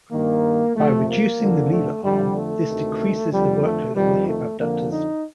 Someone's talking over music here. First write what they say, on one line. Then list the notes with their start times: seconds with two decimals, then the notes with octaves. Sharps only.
By reducing the lever arm, this decreases the work load on the hip abductors.
0.11 G2 D#3 A#3
0.75 F2 C3 F3 A3
1.07 A#3
1.38 F2 D3 F3
1.71 A3
2.02 F2 D3 F3 G3
2.34 A3
2.66 D2 C3 D#3
3.29 F2 D3 F3 G3
3.62 A3
3.94 F2 D#3 G3
4.26 A3
4.57 F2 D3 F3 A#3
4.90 D#4